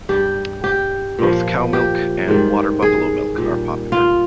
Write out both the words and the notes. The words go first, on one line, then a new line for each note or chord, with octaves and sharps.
Both cow milk and water buffalo milk are popular.
G2 G3 G4
G4
A#2 F3
G4
G#2 D#3 G3
G#4
A#2 G3
F4